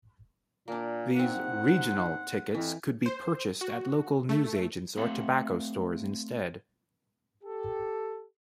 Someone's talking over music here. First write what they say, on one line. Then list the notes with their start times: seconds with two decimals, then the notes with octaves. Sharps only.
These "regional" tickets could be purchased at local newsagents or tobacco stores instead.
0.68 A#2 A#3 D4
1.16 G#2 C4 E5 F#5
1.68 C5
2.55 F2 E3
3.06 C5
3.61 F#4
4.29 A3
4.97 A3 C4 G4 F5 F#5
7.44 G4 A4